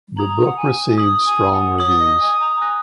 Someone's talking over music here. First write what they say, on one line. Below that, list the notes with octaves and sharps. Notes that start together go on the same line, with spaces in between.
The book received strong reviews.
A#5 D#6 G#6 F#7
F#5
G#5
D#6 G#6 F#7
G#5
F#5
C#5 D#6 G#6 F#7
F#5
D#5
G#5
A#5
G#5 D#6 F#6 A#6